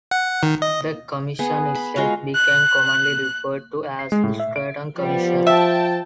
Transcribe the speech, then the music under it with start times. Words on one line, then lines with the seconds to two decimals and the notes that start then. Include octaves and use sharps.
The commission itself became commonly referred to as the Stratton Commission.
0.11 F#5
0.43 D#3
0.62 D#5
1.39 B3 G#4
1.75 B5
1.96 G#3 F4 F#4 F5
2.35 F#6
3.99 C7
4.12 G#3
4.24 A2
4.40 E5
4.56 D7
4.98 F3 G3 B3
5.47 E5 G5 A5